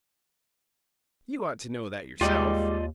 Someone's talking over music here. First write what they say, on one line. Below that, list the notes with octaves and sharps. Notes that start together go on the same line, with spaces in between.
You ought to know that yourself.
D#2 G#2 G3 G#3 F4 G4 D5 D#5